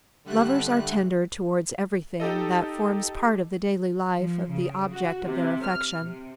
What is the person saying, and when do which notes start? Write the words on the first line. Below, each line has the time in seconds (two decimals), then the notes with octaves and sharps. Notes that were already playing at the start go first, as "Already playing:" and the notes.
Lovers are tender towards everything that forms part of the daily life of the object of their affection.
0.24 D3 G3 A3 F#6
2.20 D#4 G4 A4 D#5
4.17 F3
4.50 C#3
4.91 F#4
5.24 C3
5.64 F6
6.01 C3